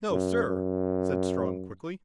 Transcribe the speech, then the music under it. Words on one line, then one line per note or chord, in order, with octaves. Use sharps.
"No, sir!" said Strong quickly.
F#2
F#2